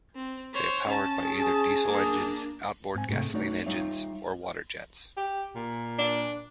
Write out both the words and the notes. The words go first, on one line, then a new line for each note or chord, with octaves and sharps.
They are powered by either diesel engines, out-board gasoline engines, or waterjets.
C4
C5 C#5
C#4 A5
G#4
A#3 D4
G#2 C4 G#5
G#2 C3 A3 G#4
A3 D#4 F#4 C#5 D5
G3 D#4 F4 C#5 E5
G4
A#2
D4